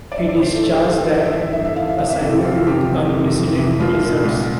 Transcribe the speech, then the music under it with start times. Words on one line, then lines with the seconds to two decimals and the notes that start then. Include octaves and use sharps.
He discharged that assignment with unprecedented results.
0.12 D5
0.17 G2 E5
0.29 D5
0.40 E3 C5
0.51 A4
0.62 G2 A4
0.74 G4
0.85 E3 A4
0.97 C5
1.07 G2 D5
1.19 E5
1.31 E3 E5
1.53 G2 E5
1.65 E5
1.76 E3 F5
1.87 E5
1.98 F2 F5
2.10 E5
2.21 C3 E3 A4
2.32 G4
2.43 F2 F4
2.66 C3 E3 G4
2.89 F2
3.12 C3 E3
3.34 F2
3.57 C3 E3
3.79 C2 F4
4.02 A#2
4.25 C2